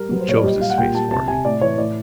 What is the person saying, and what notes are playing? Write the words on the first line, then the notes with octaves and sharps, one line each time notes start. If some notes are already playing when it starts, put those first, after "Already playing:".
Who chose this face for me?
Already playing: G3 A#4
F#3 B4
C5
A#2 C#5
D5
G3 D#5
G3 F5
F#5
A#2 G5
G3 A5
C3 A5
C3 G#5
A2 D5
E3 C#5
A2 D5